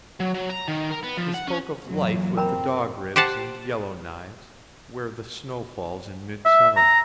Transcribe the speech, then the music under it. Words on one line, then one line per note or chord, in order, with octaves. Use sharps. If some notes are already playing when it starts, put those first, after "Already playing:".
He spoke of life with the Dog Ribs and Yellow Knives, where the snow falls in midsummer.
F#3
F#3
A#5
D#3
A#4
B3
F3
F#5
C#4
F#2 A#2 E3 F#3
C4 A#4 G5 A#5 B5
G4 C5 F#5 A5
E5
A#5